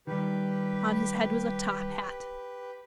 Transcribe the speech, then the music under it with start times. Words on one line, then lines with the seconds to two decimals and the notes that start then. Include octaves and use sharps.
On his head was a top-hat.
0.07 D#3 G3 G4 B4